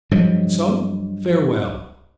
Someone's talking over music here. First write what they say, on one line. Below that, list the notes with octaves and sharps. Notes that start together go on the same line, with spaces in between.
And so, farewell!
G2 F3 F#3 G#3